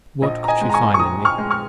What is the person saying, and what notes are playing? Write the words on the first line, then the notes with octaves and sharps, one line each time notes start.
What could she find in me?
A#1 D#5
A#5
D#5 G#5
G#3
A#5
G#5 C#6
C#6
A#1 A#5 D#6
C#6 F6
G#3
C#6 F6